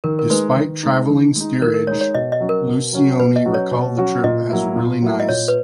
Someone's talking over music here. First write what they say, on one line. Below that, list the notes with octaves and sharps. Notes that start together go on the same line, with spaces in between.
Despite traveling steerage, Lucioni recalled the trip as "really nice".
D#3 A#4
A#4
G#3 D#4 B4
D#3
G#3 D#4
D#3
G#3 D#4
D#3 A#4
A#4
G#3 D#4 C#5
C#5
B2 D#5
D#5
F#3 C#4 F#4
A#4
B2
F#3 C#4 F#4
B2 B4
D#5
F#3 C#4 F#4
C#5
B2
F#3 C#4 F#4
A#2 D#5
F#3 A#3 E4
A#2
F#3 A#3 E4
D#5
A#2 C#5
B4